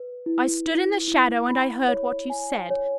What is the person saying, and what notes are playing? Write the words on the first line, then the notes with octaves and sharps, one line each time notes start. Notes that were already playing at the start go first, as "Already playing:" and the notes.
I stood in the shadow, and I heard what you said.
Already playing: B4
E4
E4
E4
B5
C#5
G#5
C#5